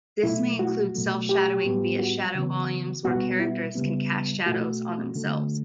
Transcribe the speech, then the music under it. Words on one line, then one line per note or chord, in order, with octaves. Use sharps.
This may include self-shadowing via shadow volumes, where characters can cast shadows on themselves.
B2 F#3 A3 E4
F#4
B2 F#3 A3
G4
A2 G3 B3
F#4
C#3 E3 B3
B2 G3 B3 F#4
E4
C#3 G3 B3
B2 A3 F#4
D3 A3